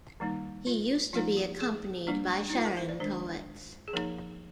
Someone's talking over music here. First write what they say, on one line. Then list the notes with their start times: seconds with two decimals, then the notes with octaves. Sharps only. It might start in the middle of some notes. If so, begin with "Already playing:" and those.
He used to be accompanied by Charan poets.
0.20 D#3 G3 A#3 D#4
0.67 F4
1.13 F3 A#3 D#4 F4
1.37 G4
1.61 G#4
2.07 G3 A#3 D4
2.50 D#4
2.53 F4
2.65 A#4
2.77 C5
2.89 D5
3.00 D#3 G#3 D4 C5
3.88 G#4
3.93 F3 A#3 D#4 A#4